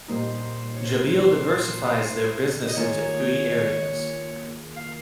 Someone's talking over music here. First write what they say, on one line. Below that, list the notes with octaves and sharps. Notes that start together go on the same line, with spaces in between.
Jabil diversifies their business into three areas.
A#2 G3 A#3 D#4 C5
C#5
C5
A#4
C5
D#5
D#3 A#3 F4 G#4 C#5
F5